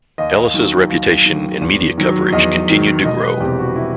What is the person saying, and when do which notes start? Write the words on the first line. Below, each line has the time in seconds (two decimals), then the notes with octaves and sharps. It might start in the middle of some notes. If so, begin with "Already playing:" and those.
Ellis' reputation and media coverage continued to grow.
0.18 D#2 D#5
0.54 D#3 F#3
0.90 D#2
1.26 D#3 F#3
1.62 E2
1.98 D#3 F#3
2.33 E2 D#5
2.69 D#3 F#3
3.05 E1 D#5
3.22 B4
3.40 E2 C3 G4
3.59 F#4
3.76 E4